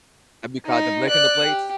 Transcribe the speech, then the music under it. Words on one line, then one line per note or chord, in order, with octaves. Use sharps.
Have you caught them licking the plates?
D#4
D5 F#6
G4